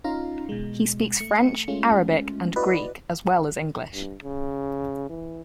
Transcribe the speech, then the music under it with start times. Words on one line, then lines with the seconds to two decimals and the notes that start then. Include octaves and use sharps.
He speaks French, Arabic, and Greek as well as English.
0.04 C#4 D#4 F4 F5 A#5
0.49 B2 G#3
1.18 A3 C#7
1.68 G#3 A3 C#4 F4
2.56 E4 F#4 B4 D5 D#5
3.94 G2
4.23 C#3
5.09 E3